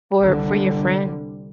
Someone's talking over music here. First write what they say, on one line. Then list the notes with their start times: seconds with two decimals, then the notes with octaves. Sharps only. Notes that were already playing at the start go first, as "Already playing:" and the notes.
for for your friend.
0.22 C2 D3 G3